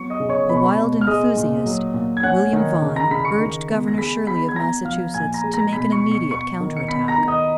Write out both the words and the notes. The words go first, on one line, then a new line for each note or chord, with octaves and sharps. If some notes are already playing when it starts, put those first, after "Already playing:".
A wild enthusiast, William Vaughan, urged Governor Shirley of Massachusetts to make an immediate counter-attack.
Already playing: F#3 B3 C#6 C#7
D#5 D#6
C#3
C#5 C#6
B2 B5
C#6
B4 B5
B2
F6
G#3 D#5 D#6
A#2
F#3
A#2
G#6
C#4 F#5 F#6
D#3
C#3
A#5 A#6
C#3 B5 B6
C#6 C#7
D#3
B3
A#6
G#3 B5 B6
B3 B5 B6
G#6
B3 A#5 A#6
F3 F5 F6
A#2 G#5 G#6
A#5 A#6
G#3
A#5 A#6
B2 B5 B6
C#6 C#7
B2
C#6 C#7
B3 C#6 C#7
D#3
C#7
B3 B5 B6
A#5 A#6
D#3
D#5 D#6